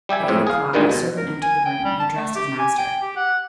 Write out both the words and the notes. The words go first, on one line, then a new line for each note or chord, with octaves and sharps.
At eight o'clock a servant entered the room and addressed his master.
G3 G4 E5 G#5
F2 A2 C4
G#4 F5
D2 G2 A#2 D#3 G3 G#3
B2
A#4
G#5
G5
G3
A5
A3
G4
G#5
G5
G4
F#5